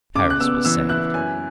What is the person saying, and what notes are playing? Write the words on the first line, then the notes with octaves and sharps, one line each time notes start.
Paris was saved.
C#3 D6
F#6
B3 E6
E3 E6
E4 F#6
F#2 G#5